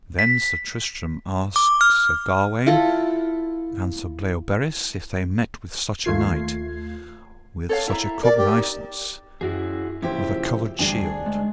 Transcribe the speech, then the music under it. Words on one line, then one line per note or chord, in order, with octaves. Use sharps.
Then Sir Tristram asked Sir Gawaine and Sir Bleoberis if they met with such a knight, with such a cognisance, with a covered shield.
B6
D6
F6
E4 F4 A4
D#2 A3 F4 G#6 C7
A4 C#5 F5
E4 E5 A#5
A#4 D5
G4
D#4
F#2 E4 F#4 G#4
A#2 C#3 F3 E4 G4 C5
D2 G3 D4 G#4 G#5
G#3